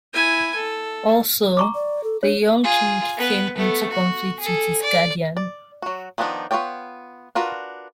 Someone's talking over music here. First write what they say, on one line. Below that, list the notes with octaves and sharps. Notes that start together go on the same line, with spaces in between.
Also the young king came into conflict with his guardian.
E4 G#5
A4
A#5 C#6 D6
D5
A4
D4 C#5
F4 G#4
B3 B4
A3 B3
F#4
G#4 A4
D5
D5
F#3 F#4
D#3 F3 B3 D4 D#4
B3 F4 C#5 D5 G5
D4 F4 F#4 A#4 B4